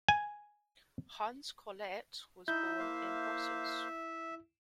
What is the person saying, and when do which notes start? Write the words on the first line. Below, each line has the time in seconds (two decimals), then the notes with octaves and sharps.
Hans Collaert was born in Brussels.
0.09 G#5
2.48 D#4 E4 E5 G6
2.79 A#3 C5 F5